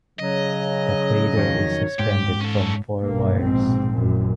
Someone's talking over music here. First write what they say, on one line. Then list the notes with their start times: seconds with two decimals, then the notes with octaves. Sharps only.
The cradle is suspended from four wires.
0.19 C#3 F#3 D#5
1.37 F2 D#3 F#3 C#5
1.99 G#2 G4
2.40 C#4 A4
3.07 B1 G2 A#3
3.39 A#1 G#2 B2 C4
3.94 A1 F#2 A#2